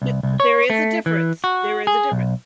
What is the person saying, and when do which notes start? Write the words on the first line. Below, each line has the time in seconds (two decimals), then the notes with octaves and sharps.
The there is a difference, there is a difference.
0.02 C2
0.23 C2
0.40 C#5
0.70 A3
1.06 E3
1.44 F#4
1.87 G#4
2.12 B1